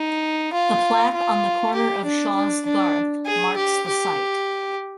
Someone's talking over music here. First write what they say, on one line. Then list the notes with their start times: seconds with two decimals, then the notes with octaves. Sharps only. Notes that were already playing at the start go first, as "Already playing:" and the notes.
A plaque on the corner of Shaws Garth marks the site.
Already playing: D#4
0.53 F4
1.14 F4
1.75 G4
2.05 D4
2.35 D4
2.66 D4
3.26 G#4
3.56 G4
3.87 G4